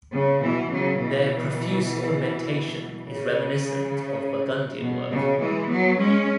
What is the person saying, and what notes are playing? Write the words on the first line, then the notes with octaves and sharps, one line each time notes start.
Their profuse ornamentation is reminiscent of Burgundian work.
C#3
B2 E3
C#3 F#3
B2 E3
C#3
B2
C#3
E3 G#3
F#3 B3
G#3 C#4